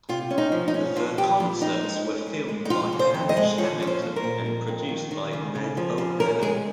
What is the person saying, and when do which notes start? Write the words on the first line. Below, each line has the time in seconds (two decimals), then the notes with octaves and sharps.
The concerts were filmed by Hamish Hamilton and produced by Ned O'Hanlon.
0.09 C3 F4
0.31 C#4
0.38 D#4
0.52 F3
0.68 D#4
0.74 C#4
0.96 F3 F4
1.17 F3 G4
1.39 A#2 F4
1.61 F3 D#4
1.83 G#3
2.05 C#4
2.27 G#3
2.49 G#3
2.65 D#4
2.70 F2 F4
2.93 C#3
2.99 C5
3.14 F2
3.29 D#5
3.37 G#3
3.58 F3 C#5
3.79 C#4 C#5
3.87 C5
4.02 A#3
4.16 A#4
4.24 A#2
4.46 F2
4.68 F2
4.89 D#3
5.11 D#3
5.33 C#3
5.55 C#3
5.77 F3
5.98 C#3
6.20 C#4 A#4
6.41 G#3 G#4